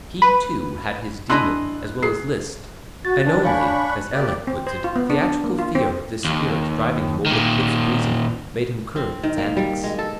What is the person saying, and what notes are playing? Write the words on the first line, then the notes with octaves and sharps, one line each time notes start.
He, too, had his demon as well as Liszt, and only, as Ehlert puts it, "theoretical fear" of this spirit driving him over the cliffs of reason made him curb its antics.
B4
D4 E4 D#5 G#5 C6 F#6
G#4 C7
F#4 A6
D#3 E3 D4
D4 C#5 F5 G#5 B5 C#6
F#6
A#3 G4 D5
C4
C5
F4
B3
D4
D4
A#3
F4
C4
D#2
A#2 D#3
C4
D#3
A#3
G3
G#3
A4